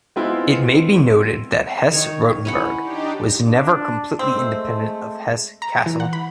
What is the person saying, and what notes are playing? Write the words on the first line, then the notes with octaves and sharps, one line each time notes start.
It may be noted that Hesse-Rotenburg was never completely independent of Hesse-Kassel.
G#3 B3 C4 E4 F4 B4
D#3 C#5
C#4 E4 F#5
D4 D#4 G4
D4
G#3 A3 C4 C6 E6
A#5
E3
F#5
B5